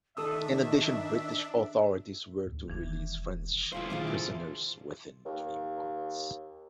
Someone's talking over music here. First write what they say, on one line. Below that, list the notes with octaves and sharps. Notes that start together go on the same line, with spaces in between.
In addition, British authorities were to release French prisoners within three months.
D#3 D4 A4 E5 D#6 E6
D2
E1 D#3 E3 D4
A3 E4 F4 C5 E5 F5
A#2 D#3 F4 G#4 D6
A4
D#2